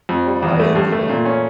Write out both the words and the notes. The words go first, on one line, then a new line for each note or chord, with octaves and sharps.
I envy that.
F2
G3
E2
A3
G2
A3
A#2
C#4